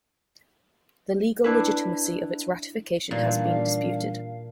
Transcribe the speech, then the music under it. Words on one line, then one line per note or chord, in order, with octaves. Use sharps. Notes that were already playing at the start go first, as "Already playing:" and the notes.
The legal legitimacy of its ratification has been disputed.
D4 E4 B4
A#2 E3 G3 D4 D#4 F5